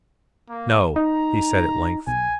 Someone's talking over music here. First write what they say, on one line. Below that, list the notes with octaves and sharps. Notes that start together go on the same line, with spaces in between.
"No," he said at length.
A#3
D#4 A#5
B1 G#5